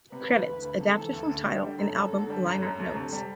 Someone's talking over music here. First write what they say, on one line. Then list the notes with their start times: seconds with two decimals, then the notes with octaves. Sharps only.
Credits adapted from Tidal and album liner notes.
0.12 C3 B4
0.29 E3
0.46 D2
0.62 D2
0.79 C3 A4
0.96 E3
1.13 D2
1.29 D2
1.45 D3 G4
1.62 G3
1.78 F#2 A4
1.95 F#2
2.12 D3
2.29 G3
2.45 F#2
2.63 F#2
2.79 D2 A4
2.96 C3
3.12 G3